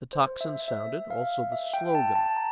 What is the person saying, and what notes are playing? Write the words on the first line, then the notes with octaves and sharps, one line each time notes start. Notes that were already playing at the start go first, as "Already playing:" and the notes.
The tocsin sounded, also the slogan.
C5
E5
E5
F5
E5
G5
A5
A5
A#5